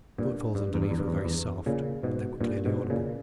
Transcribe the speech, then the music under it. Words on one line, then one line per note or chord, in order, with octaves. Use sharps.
The footfalls underneath were very soft, but they were clearly audible.
G2 A#2
G2
E2
G2
E2
G2
E2
G2
E2
A#2 C#3
G#2 B2
G2 A#2
G#2 B2
A#2 C#3